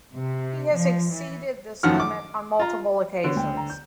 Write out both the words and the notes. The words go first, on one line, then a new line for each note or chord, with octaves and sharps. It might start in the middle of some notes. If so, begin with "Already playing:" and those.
He has exceeded this limit on multiple occasions.
C3
F3
E3
F#2 D#3 F3 F#5 F6
D6
F4 A#5
D3 B3 F#4 C#5
D2 G5
A#5
G6